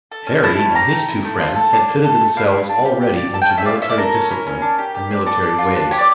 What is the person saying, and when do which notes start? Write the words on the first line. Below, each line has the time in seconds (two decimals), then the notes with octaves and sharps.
Harry and his two friends had fitted themselves already into military discipline and military ways.
0.12 A4
0.27 C#4
0.43 E4 A5
0.59 C#4
0.75 G4 A#5
0.92 A3
1.08 E4
1.24 A3
1.40 F4
1.56 A4
1.73 D4
1.89 A#3
2.04 A4
2.21 A3
2.37 E4 F5
2.53 A3
2.69 D4
2.85 G4
3.01 G4
3.17 D4
3.33 A4 A5
3.42 G5
3.49 C#4
3.58 E5
3.65 F4 D5
3.81 C#4 E5
3.90 D5
3.98 A4 A#4
4.14 C#4
4.31 E4 A#4
4.47 C#4
4.62 D4
4.78 G4
4.95 G4
5.11 D4
5.27 A4 D5
5.43 D4
5.58 F4
5.75 D4
5.91 G4 C#5
5.99 D5